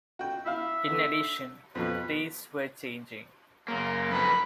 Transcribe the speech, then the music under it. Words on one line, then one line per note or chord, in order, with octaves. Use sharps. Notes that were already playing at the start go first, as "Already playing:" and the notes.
In addition, tastes were changing.
F#4 G5
E4 E5 F5
D3
F2 B2 F3 B4
F#2 C#3 A#3 C6
F2 A#3 B4 B5